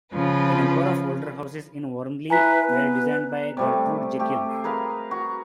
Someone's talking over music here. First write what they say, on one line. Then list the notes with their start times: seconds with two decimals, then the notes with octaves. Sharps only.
A number of the older houses in Wormley were designed by Gertrude Jekyll.
0.13 C#3 F3 F4 B4
2.30 E4 B4 G#5 A#5 B6
2.70 B3 B4
3.57 C3 G3 A3
4.19 A3 G4
4.64 G#4 A#4 B4 F5
5.11 F#4